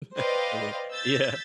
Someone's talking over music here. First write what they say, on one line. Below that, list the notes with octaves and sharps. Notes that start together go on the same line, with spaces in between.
actually." Yeah.
B4 C5 D5 D#5 F5 G5
E6 G6 A6 B6